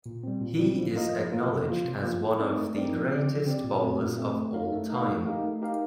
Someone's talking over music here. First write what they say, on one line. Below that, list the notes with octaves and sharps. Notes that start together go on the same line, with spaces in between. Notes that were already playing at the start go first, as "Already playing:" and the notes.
He is acknowledged as one of the greatest bowlers of all time.
A#2
G3 C4
A#2
G3 C4
F3
A#3 F4 A#4 D#5
F3
A#3 F4 A#4 D#5
C3
F3 A#3 F4
C3
F3 A#3 F4
A3
C4 D#4 A#4 D5
A3
C4 D#4 A#4 D5
F3
C4 G4 D5
F3
C4 G4 D5
A#2
A3 C4
A#2
A3 C4
A3
D#4 A#4 F5
A3
D#4 A#4 F5
A3
D#4 G4 A#4 F5
A3
D#4 G4 A#4 F5